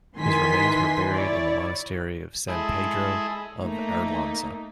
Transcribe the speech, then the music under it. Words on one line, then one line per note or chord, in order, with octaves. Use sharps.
His remains were buried in the monastery of San Pedro of Arlanza.
D#3 E3 G#5 C6 B6
E4 C#5 D5
G#3 E4 G#4 A4
A3 A#3 D#4